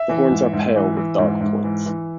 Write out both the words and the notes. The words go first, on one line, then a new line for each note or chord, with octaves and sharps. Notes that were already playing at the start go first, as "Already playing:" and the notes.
The horns are pale with dark points.
Already playing: E5
E3
G#2
G#2
E3
E3
G#2
G#2
E3
E3